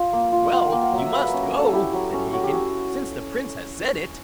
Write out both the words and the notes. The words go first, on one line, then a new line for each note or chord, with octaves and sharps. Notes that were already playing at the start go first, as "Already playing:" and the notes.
'Well, you must go', said Hacon, 'since the Prince has said it.
Already playing: F4 F5
A#3
F4
F4 F#5
A#3 G5
F#5
F#3
E5
A#3 B4
A#4
C#4
A#4
C#4
A4
E4 G4
F#3
C#4
C#4 F#4
G4
C#4 F#4